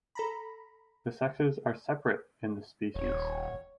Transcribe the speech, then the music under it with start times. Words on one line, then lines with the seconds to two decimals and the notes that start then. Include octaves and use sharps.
The sexes are separate in this species.
0.15 A4 A#5 B5
2.96 D#1 C#5